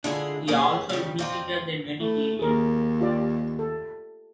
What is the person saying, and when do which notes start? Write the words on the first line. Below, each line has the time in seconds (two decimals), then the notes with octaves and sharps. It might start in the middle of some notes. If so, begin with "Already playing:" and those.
He also visited the Mediterranean.
0.04 D3 G#3 D4 E4 F4 G#4
0.48 G2 A#2 F3 B3 G#4 A#4
0.60 G4 C#5
0.89 C#3 F3 G3
1.19 F2 F3 C4 F4 D5 A#5
2.00 A3 E4
2.39 D#2 G#4 A#4
3.00 F4 G4 D5
3.59 A4